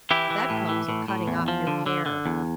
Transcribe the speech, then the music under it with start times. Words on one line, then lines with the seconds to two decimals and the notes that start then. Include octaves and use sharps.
"That comes of cutting off your hair."
0.11 E3 E4 G4
0.30 E3
0.50 A2
0.69 E3
0.89 A2
1.08 A2
1.28 E2
1.48 F3
1.67 D3
1.86 D3
2.06 D3
2.26 E2